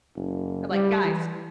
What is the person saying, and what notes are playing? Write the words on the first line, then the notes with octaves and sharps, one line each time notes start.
I'm like, "Guys,
F#1
G3
E3